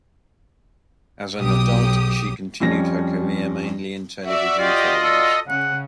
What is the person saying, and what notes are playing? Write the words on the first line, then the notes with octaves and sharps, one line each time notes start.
As an adult, she continued her career mainly in television films.
B1 F#3 G4 D#6
F2 F3 G3 C#4 A#6
F#4 D5 E5
F4 G4 D#5
A4
C#3 F#5